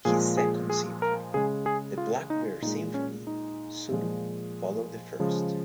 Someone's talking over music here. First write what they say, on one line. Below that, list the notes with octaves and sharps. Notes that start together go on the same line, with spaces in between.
His Second Symphony, the "Blackbird Symphony", soon followed the first.
A#2 F3 G#3 G#4
G#4
G#4
A#4
C#3 G#3 G#4
G#4
F4
D#4
A#2 G#3 D#4
C#4
D#4
A#2 F3 G#3
C#3 F3 G#3